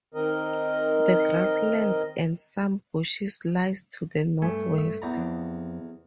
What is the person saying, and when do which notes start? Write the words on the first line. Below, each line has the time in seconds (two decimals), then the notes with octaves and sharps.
The grasslands and some bushes lies to the northwest.
0.14 D#3 C4 A#4 D#5
4.42 G2 A3 G#5
4.78 E5
5.02 E2 A#5
5.17 F2